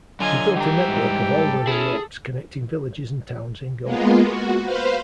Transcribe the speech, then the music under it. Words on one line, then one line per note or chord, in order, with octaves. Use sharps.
He built a network of all weather roads connecting villages and Towns in Goa.
D3 F#3 F4 D#5 G#5
E3 G3 G4 A#5
G#2
A4
C#4 E4 G#4
G#3 A#3 B3 F4
F#4
B4 C5 F5